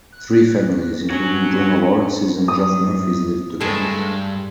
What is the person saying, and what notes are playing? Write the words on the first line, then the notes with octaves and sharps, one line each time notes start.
Three families, including Bruno Lawrence's and Geoff Murphy's, lived together.
F#6
F#3 C#4 D4 F#4
F#2 D#6
G2 G#3 A3 A4